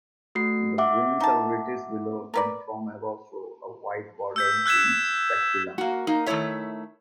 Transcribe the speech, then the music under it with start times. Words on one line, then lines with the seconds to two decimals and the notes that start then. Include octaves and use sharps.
The wings are whitish below, and from above show a white-bordered green speculum.
0.35 A3 F#4 C7
0.78 E5 F#5 D6
1.20 D#4 A5
2.34 A#4 B4 D5
4.36 E6 G6 B6
4.66 E6 F#6 G#6 B6 E7
5.78 A#3 F#4
6.07 A#3 D#4
6.26 D#3 A3 A#3 E4 C#5 E5